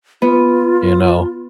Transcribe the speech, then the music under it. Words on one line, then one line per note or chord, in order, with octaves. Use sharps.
you know
B3 F4